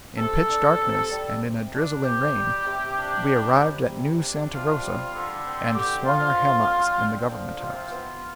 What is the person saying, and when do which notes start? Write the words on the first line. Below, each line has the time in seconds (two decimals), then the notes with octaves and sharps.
In pitch darkness and in a drizzling rain we arrived at New Santa Rosa, and swung our hammocks in the Government House.
0.18 C3 A4
0.50 D4
0.80 C3
1.11 G3
1.42 C3
1.73 D4
2.04 C3 G4
2.35 G3
2.66 C3
2.97 D4
3.28 C3
3.58 G3
3.89 C3
4.21 D4
4.51 C3 F4
4.82 G3
5.13 D3
5.44 C4
5.75 D3 G4
6.06 F3 F4
6.37 D3
6.68 C4
6.98 D3
7.30 F3
7.60 C3 F4
7.92 B3